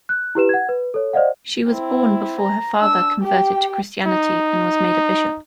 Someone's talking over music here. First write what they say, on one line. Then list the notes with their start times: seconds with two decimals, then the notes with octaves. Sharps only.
She was born before her father converted to Christianity and was made a bishop.
0.09 F#6
0.35 E4 G4 B4 E7
0.49 F#5 G#6
0.69 B4
0.94 A4 C#5
1.13 C5 D5 D#5 F5 F#5
1.68 C4 E4
2.40 A#5
2.79 D4 E6
3.21 G4 G5
4.06 D#4